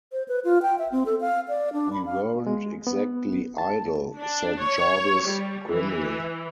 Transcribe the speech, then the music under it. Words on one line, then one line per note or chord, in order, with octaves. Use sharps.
"We weren't exactly idle," said Jarvis grimly.
C5
B4
F4
G5
E5
C4
A4
F5
D5
D4
B5
F5
G#3
B3
A5
D4
C#5
G3
E3